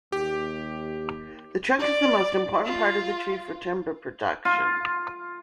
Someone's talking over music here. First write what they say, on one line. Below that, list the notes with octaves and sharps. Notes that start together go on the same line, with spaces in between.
The trunk is the most important part of the tree for timber production.
D#2 G4
D5
F4
F4